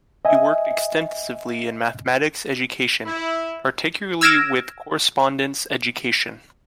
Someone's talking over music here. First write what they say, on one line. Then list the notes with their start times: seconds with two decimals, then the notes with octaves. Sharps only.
He worked extensively in mathematics education, particularly with correspondence education.
0.25 D#5 E5 G#5
3.05 E4
4.21 E6 F6 G#6 A#6 D7 E7